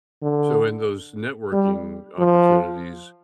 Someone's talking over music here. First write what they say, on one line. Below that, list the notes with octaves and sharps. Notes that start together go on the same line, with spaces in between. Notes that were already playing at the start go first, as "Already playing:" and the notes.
So in those networking opportunities,
D3
G3
F3